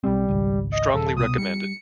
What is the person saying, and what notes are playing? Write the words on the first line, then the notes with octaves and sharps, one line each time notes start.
Strongly recommended.
B1 G3 C4
G#1 C#2
D#5
D#1 A4
C2 B2 D#6
G3 C#7